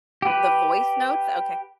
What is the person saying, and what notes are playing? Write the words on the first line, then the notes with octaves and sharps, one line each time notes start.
the voice notes? Okay.
G4 B4